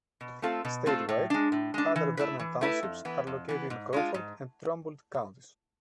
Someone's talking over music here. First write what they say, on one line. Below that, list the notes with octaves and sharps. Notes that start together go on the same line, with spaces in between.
Statewide, other Vernon Townships are located in Crawford and Trumbull counties.
B2
A3 C4 F4 A4
B2
A3 C4 F4 A4
A2
G#3 D4
A2
G#3 D4
E3
A3 E4 B4
E3
A3 E4 B4
F2
E3 B3
F2
E3 B3
G#2
G#3 D4 F4
G#2